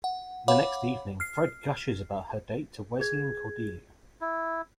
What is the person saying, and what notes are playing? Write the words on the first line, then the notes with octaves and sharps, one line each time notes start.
The next evening, Fred gushes about her date to Wesley and Cordelia.
F#5
C#5 F5 F#5 B5 D6
F6 C7
G#4 G#6
E4